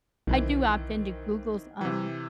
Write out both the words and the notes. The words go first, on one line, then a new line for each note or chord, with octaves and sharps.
I do opt into Google's, um,
B1 D#3 E3 C4
C3 E3